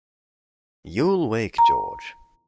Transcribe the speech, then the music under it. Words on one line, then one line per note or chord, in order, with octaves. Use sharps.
You'll wake George.
A#5